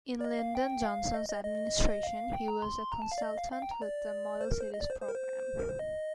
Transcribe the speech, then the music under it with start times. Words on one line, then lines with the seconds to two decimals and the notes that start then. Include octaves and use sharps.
In Lyndon Johnson's administration he was a consultant with the Model Cities Program.
0.21 D5
0.24 D#5
0.39 F5
0.55 G5
0.85 F5
1.14 D#5
1.29 D#5
1.44 D#5
2.03 F5
2.33 G5
2.48 A#5
2.62 C6
2.92 A#5
3.02 A5
3.12 F5
3.18 D5
3.22 D#5
3.38 F5
3.52 F5
3.62 G5
3.71 A#5
3.82 D5
4.41 C5
4.51 A#4
4.61 C5
4.74 D#5
4.81 D5
4.90 C5
5.01 C5
5.09 A#4
5.15 C5
5.59 A#4
5.69 C5
5.79 D#5